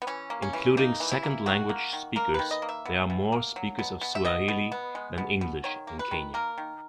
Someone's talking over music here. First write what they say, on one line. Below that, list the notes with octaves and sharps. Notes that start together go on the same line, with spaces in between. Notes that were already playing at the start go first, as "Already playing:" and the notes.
Including second-language speakers, there are more speakers of Swahili than English in Kenya.
B3
E3 C#4
A#3
C#4
E3
A#3 D#4
E3
E4
A#3
D#3 F#4
A#3
D#3
A#3 A#4
D#3 B4
D#5
A#3
E5
B2
B2
A#3
F#3
B2
B2
E5
B2 D#5
B2
B3
G#3
B2
B2
D#3 C#5
A#3
B4
D#3
A#3 A#4
D#3